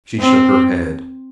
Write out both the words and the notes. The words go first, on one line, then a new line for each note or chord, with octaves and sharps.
She shook her head.
C4